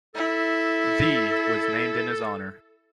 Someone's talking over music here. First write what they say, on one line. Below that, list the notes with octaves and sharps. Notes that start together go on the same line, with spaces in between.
The was named in his honor.
E4 A4